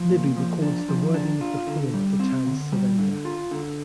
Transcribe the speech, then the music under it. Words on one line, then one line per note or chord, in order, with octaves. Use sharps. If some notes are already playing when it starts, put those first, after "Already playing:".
Livy records the wording of the form of the town's surrender.
Already playing: F3
A#2
F3
D4
F3
D4
F4
D3
G3
C4
D3
G3
D3
F4
D3